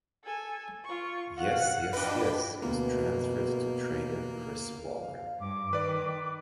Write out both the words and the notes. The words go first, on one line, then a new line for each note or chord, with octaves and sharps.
Yes Yes Yes was transferred to trainer Chris Waller.
A4 G#5
F4 C#6
F5 F#5 F#6
D4 B4 D#5 G5
D2 B2 A#3 B3
F5
G2 D6
D#3 B4 D5